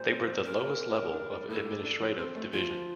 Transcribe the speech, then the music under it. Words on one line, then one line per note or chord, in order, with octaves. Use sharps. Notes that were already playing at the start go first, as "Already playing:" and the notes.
They were the lowest level of administrative division.
Already playing: A#2 G3 C5
C4
F3
A#2 A#4
A#2
C4
G4
D4
G3
A2 A4
G4
D4
F3
C4
A3
F3 F4
F3